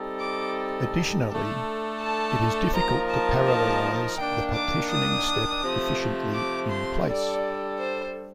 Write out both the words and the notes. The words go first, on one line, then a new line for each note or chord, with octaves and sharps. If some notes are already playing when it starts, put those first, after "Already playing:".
Additionally, it is difficult to parallelize the partitioning step efficiently in-place.
Already playing: G3 C4 D#4 A4
D6
A3 D4 A4
A5
F3 A#3 D#4 A#4 A#5
A5
A5
D#3 A#3 D4 G5
D6
D#6
C3 F3 A3
D6
C6
G3 D4 A4 D5
C5